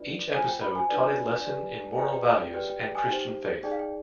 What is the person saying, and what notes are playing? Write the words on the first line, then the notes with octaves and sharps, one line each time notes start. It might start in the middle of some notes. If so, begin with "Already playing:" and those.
Each episode taught a lesson in moral values and Christian faith.
Already playing: D4 F4 B4 D5
F4 C5 G#5
G5
B5
G#5
D4 F4 B4 D5
G4 B4 D5
G#5
F4 G#4 B4 D5 G5
G5
G5
G5
G4 B4 D5 G5
G5
G5
G#5
D#4 G4 C5 G5
D#4 G#4 D5 G5
F5
G5